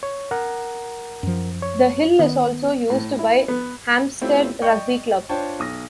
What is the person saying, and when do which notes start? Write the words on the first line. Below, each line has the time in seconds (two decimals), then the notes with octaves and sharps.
The Hill is also used by Hampstead Rugby Club.
0.03 C#5
0.31 A#4 F#5 A#5
1.23 F#2 F3
1.62 C#5
2.19 D#3 B3
2.90 A2
3.19 E4
3.48 B3
4.21 A3 C4 C#4 E4 F4 G4
4.62 D5 D#5 G5 C#6 G6 C#7
5.29 D4 F4 C5 C#5 G5 A5
5.59 B1 D#6 A#6